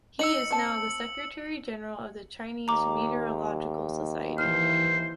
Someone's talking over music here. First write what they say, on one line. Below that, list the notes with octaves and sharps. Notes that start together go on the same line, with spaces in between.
He is now the Secretary General of the Chinese Meteorological Society.
D#4 E6 C#7 F#7
C4 A5
D#2 A#5 D6
E3 C5 F6